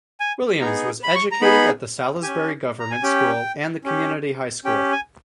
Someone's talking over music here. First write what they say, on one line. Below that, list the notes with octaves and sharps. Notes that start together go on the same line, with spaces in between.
Williams was educated at the Salisbury Government School and the Community High School.
G#5
B3 D#4 G#4 A#5
B5
C#6
A#5
B3 D#4 G#4 B5
C#4 G4 G#5
A#5
G#5
C#4 G4 G5
C#4 G4
C#4 G4 G5
G#5